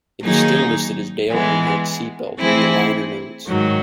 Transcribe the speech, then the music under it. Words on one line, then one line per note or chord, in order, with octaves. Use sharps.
It is still listed as "Dale Earnhardt's Seatbelt" in the liner notes.
D#3 F#3 A#3 D#4 G#4
E3 G#3 B3
E3 A3 C4 E4 G#4
G#2 D#3 F#3